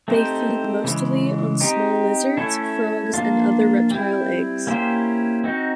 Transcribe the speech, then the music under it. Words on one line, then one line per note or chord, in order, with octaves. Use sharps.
They feed mostly on small lizards, frogs, and other reptile eggs.
A3 C4 D#4 G4 C5
C#3 E3 G#3
C4 D#4 G4
A3 C#4 E4 A4
F3 A#3 D4 F4
G3 C4 E4
A#3 C#4 E4 G4 C5
C4 D#4 F#4